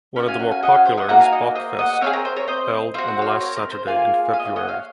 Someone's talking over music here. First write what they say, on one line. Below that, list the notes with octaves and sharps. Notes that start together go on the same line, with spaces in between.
One of the more popular is Bockfest, held on the last Saturday in February.
C#4 F#4
F5 G#5
F#5 A#5
F5 G#5
D#5 F#5
C#5 F5
C5
D#5 F#5
A#3 D#4 F#4 F#5 A#5
F5 G#5
D#5 F#5
C5 D#5
D#5 F#5
F#5
C4 D#4 G#4 C#5 F5
A#4 C#5
C5
A#4 C#5
C5 D#5
C4 F#4 F5
F#5
C#5 F5
A#4 C#5
A#4
C5
A#3 F4 G#4 F5 G#5
F5 G#5
D#5
C#5 F5
D#5 F#5
C#5 F5